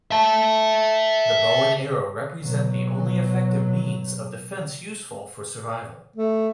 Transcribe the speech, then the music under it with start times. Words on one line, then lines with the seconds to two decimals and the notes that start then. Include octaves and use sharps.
The bow and arrow represent the only effective means of defense useful for survival.
0.11 E5 A5
2.41 B2 F#3
6.16 A3